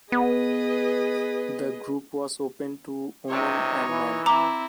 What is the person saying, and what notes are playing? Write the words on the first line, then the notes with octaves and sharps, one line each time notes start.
The group was open to women and men.
B3 G#4 B4 D#5
C#2 C3 D#4 C#5
E3
C4 E4 A#5 D6